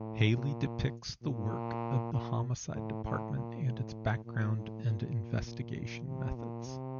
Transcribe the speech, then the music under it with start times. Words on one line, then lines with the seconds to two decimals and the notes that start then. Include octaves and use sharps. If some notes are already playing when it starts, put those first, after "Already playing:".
Hailey depicts the work of the homicide department and its background and investigation methods.
Already playing: A2
0.32 A#2
1.23 A#2
2.13 A#2
2.74 A2
3.04 A2
3.34 A#2
3.64 A2
4.24 A#2
4.54 A2
4.85 A#2
5.45 A#2
6.06 C3
6.36 A#2
6.66 C3